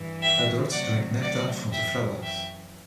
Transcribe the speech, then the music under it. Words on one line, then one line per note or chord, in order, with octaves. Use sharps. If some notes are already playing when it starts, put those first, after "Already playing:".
Adults drink nectar from the flowers.
Already playing: G2 E3
E5 G5
D2 C3 F#3 D5 F#5
D5 F#5
F#2 E3 E5 G5
E5 G5